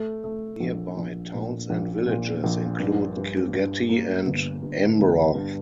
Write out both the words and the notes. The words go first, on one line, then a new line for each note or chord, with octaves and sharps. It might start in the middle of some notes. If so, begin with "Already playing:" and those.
Nearby towns and villages include Kilgetty and Amroth.
Already playing: A3
A3
A#1
A#1
A#2
A#1
A#2
A#1
G2
G2
G2
A#3
G1
G2
G1
G2